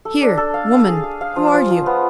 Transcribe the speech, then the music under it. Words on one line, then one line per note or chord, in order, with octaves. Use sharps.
Here! woman, who are you?
A4
D4
A4
F5
F5
G#4
G#4
F5
F3
F3
F3
B3